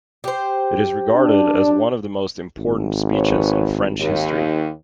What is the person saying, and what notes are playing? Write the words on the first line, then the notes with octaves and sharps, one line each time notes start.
It is regarded as one of the most important speeches in French history.
G4 C5
D4
G#1
G#2 B4 C#5
D#2